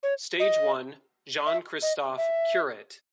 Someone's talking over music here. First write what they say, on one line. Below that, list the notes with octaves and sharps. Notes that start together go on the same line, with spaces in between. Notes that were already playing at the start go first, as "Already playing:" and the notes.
Stage one Jean-Christophe Currit.
C#5
D#5
E5
D#5
E5